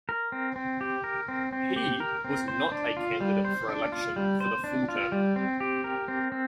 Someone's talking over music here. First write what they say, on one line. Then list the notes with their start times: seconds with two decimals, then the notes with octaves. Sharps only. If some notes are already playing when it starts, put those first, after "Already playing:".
He was not a candidate for election for the full term.
0.09 A#4
0.32 C4
0.56 C4
0.81 G4
1.04 A#4
1.28 C4
1.53 C4
1.76 G4
2.00 A#4
2.25 C4
2.48 C5
2.72 D4
2.97 F4
3.21 G3
3.45 C5
3.69 D4
3.92 F4
4.16 G3
4.40 C5
4.64 D4
4.88 F4
5.12 G3
5.36 C4
5.60 G4
5.84 A#4
6.08 C4
6.32 C4